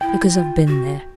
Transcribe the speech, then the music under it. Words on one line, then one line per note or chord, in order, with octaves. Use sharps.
Because I've been there.
E4 G5
F4
F#4